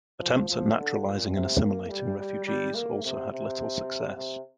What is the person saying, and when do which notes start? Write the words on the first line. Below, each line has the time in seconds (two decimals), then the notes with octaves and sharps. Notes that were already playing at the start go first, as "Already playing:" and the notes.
Attempts at naturalizing and assimilating refugees also had little success.
0.20 F3
0.48 F3
0.76 D3
1.05 A#2
1.33 C3
1.62 A#3
1.89 G3
2.18 G3
2.47 G3
2.75 A#3
3.03 C3
3.31 C3
4.16 C3